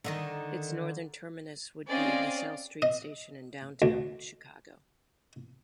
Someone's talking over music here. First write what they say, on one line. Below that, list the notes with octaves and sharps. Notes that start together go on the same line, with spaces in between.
Its northern terminus would be LaSalle Street Station in downtown Chicago.
D3 D#3 D#4
C4 C#4 G#4 D5 D#5 F5
D#5
D2